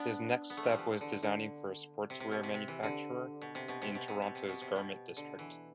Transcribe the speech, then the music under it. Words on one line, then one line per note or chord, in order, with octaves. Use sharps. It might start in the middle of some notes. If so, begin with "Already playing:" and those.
His next step was designing for a sportswear manufacturer in Toronto's garment district.
Already playing: B3 D4
B3
A3
G3
F3
E3
D3
D3
C3
C3
B2
C3
C3
E3
D3
B2
C3
B2
C3
B2
C3
B2
C3
B2
C3
B2
D3
E3